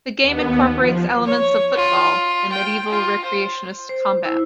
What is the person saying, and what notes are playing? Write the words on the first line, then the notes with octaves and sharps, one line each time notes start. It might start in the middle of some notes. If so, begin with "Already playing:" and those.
The game incorporates elements of football and medieval recreationist combat.
D#2 B3
F3
C#5
F4
G5
F4
C5
C5
E4